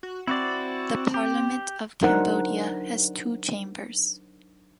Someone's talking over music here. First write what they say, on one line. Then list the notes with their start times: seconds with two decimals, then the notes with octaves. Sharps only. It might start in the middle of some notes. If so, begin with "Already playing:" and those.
The Parliament of Cambodia has two chambers.
0.03 F#4
0.27 C4 E4 F#4 D5
1.14 G4
2.01 F#3 D4 D#4 A#4 C5 F#5